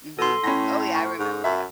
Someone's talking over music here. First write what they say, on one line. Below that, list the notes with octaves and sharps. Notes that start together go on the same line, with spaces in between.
Mhm. Oh, yeah, I remember, yeah.
B2 A4 C6
A2 C#4 B5 A#6
C#6
G#2
F#2 E5